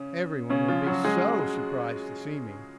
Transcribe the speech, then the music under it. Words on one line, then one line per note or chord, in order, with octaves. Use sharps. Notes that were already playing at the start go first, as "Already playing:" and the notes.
Every one would be SO surprised to see me.
Already playing: C#3 C#4
C#3 C#4
F3 F4
F#3 F#4
G#3 G#4